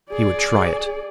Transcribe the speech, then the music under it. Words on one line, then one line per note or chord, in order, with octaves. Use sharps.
He would try it.
G#4 D5